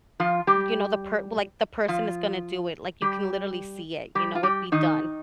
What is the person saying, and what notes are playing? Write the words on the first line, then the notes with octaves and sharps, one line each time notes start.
you know, the per well, like, the person is gonna do it, like you can literally see it you know, it'd be done,
F3 F4
G3 G4
F3 F4
G3 G4
G3 G4
F4
G3 G4
D#3 D#4